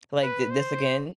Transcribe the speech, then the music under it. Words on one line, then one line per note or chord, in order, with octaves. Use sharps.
Like, "Thi this again?"
B4
C5